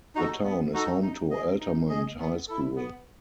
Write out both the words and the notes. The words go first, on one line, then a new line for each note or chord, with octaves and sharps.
The town is home to Altamont High School.
D#4 F#4 A4
B3
D#4 F#4 A4
D#4
G#4 D#5
D#4
G#4 D#5
B3
E4 A4
B3